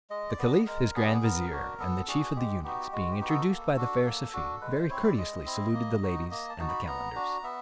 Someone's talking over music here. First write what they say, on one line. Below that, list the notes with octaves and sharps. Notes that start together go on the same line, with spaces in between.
The caliph, his grand vizier, and the chief of the eunuchs, being introduced by the fair Safie, very courteously saluted the ladies and the calenders.
G#3 D#5
D5
B3 D4
D#5
G#3 A#4
B3 D4 G#4
B3 A#4
D4 F#4
B3 A4
D4 F#4 G#4
G#3 G4
B3 D#4 F#4 G4
G#3 F#4
G4
B3 D#4 F#4
A4
A#3
D4 F#4
A#3
D4 F#4
G#3 B4
C5
C4 E4 C#5
D5
G#3 D#5
C4 E4
A#3
D#4 F#4
A#3 D#5
A5
D#4 F#4
B5
B3 A#5
D4 F#4
B3 E5